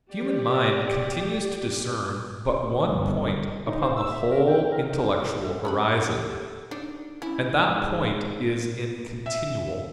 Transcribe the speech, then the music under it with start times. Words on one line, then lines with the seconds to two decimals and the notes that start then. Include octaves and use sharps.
The human mind continues to discern but one point upon the whole intellectual horizon, and that point is in continual motion.
0.12 G4 D5
2.89 G1
3.67 D#4
3.81 C5
3.97 E6
4.12 E5
4.31 A#4
4.47 G5
4.72 A#4
4.87 D#3
5.44 A4
5.65 C#4 B4 B5
6.06 G4
6.29 A4
6.71 D4 D#4
7.22 C#4 E4
7.61 G#2
9.26 E5